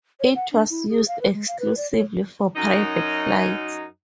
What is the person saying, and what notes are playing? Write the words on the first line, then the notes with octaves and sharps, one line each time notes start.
It was used exclusively for private flights.
C#5
F#5
D4
E4
G#4
F5
B4
G#3
F5
B4
D5
C#5
F#2 D#4